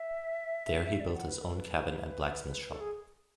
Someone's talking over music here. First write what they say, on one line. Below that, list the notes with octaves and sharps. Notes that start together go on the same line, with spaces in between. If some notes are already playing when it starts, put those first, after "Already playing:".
There he built his own cabin and blacksmith shop.
Already playing: E5
D5
F#5
B4
A4
B4
A4
G#4